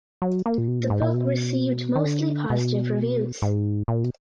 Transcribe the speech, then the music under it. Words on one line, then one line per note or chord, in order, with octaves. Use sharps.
The book received mostly positive reviews.
F#3
A#3
A#2
B2
A#2
G#2
A#2
B2
D#3
D3
B2
G#2
A#2
B2